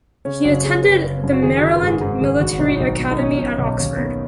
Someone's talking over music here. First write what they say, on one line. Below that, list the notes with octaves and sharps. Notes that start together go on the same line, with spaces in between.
He attended the Maryland Military Academy at Oxford.
C#3 C#4
F#1 F#4
F#1 G#4
F#1 B4
F#1
F#2
F#4
D#3 G#4
D#3 F#4
B4
G#2 G#4
G#2
G#1 G#4
G#1 F#4
B1 D#4
F#4
B1 D#4
B2
D#4
B2 C#4
B2
B1
D#2 C#4
D#3 B3